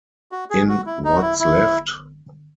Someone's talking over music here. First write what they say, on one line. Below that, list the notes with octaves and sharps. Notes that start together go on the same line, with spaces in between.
In What's Left?
F#4
G#4
F#4
E4
D#4
F#4
E4
E4